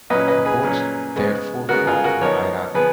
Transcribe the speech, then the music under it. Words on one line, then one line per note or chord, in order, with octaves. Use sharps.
The bones therefore form a hierarchy.
A#2 F#3 C#4 B4 D#5
B4 D#5
G#4 B4
A#2 F#3 C#4
C#3 G#3 B3
C#3 G#3 B3 F#4 A#4
F4 G#4
F#4 A#4
F3 B3 D#4 A#4 C#5
F3 B3 G#4 B4